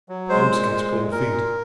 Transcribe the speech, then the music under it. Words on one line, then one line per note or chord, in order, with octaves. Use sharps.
Oates gets cold feet.
F#3
G#3 C5
A#2
G#3
A#2
A#2 A#4
A#2